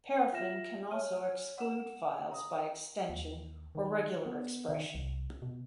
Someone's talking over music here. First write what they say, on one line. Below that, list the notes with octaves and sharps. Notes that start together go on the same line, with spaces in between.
Paraffin can also exclude files by extension or regular expression.
F4 E5 F6 A#6 E7
C#5 G#5 F6 D#7
F#5 E7
A#5 D#6
D#2
D#3
B3
D#3
C2
B2